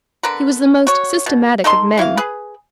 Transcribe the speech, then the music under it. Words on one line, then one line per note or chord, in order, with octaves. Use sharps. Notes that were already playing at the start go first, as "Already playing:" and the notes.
He was the most systematic of men.
D3 A#4 B4
F#4 C#5
B2
D#4 A4 D#5 C6
E3 E4 F#4 F5
G#4 B4